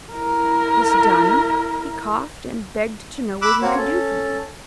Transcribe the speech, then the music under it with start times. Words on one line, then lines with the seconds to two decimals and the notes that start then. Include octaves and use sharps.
This done, he coughed, and begged to know what he could do for me.
0.13 E4 A#4
3.42 B5 D6 E6 F#6
3.62 A#3 C4 F#4 C#5
3.77 C#4 A4